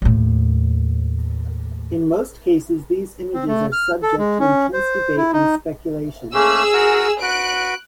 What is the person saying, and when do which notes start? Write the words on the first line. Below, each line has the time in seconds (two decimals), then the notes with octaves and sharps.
In most cases these images are subject to intense debate and speculation.
0.02 D#2 A2
3.34 C4
3.47 A3
3.72 F6
4.03 A4
4.18 G#3
4.39 C#4
4.73 C5
5.17 E4
5.33 D#4
6.34 A3 A#3 C#4 G#4 E6
6.73 F#4 A#4
7.22 F#4 B4 F#6 D7